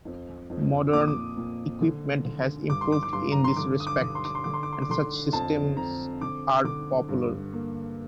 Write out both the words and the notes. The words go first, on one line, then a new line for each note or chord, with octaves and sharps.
Modern equipment has improved in this respect, and such systems are popular.
F2
F2
A#2 D6
D#6
D6
A#2
D3
D3
G2 D6
C6
D6
D6
G2 C6
A#5
C6
D3 D6
D#6
D6
D3
C6
D6
C6
D3 D6
C6
D6
C6
D6
D3 C6
F2 A5
C4 A#5
D3 D6
D3 D6
G2
A#3